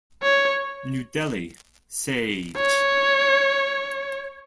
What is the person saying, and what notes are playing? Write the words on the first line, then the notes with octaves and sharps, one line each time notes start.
New Delhi: Sage.
C#5
C#5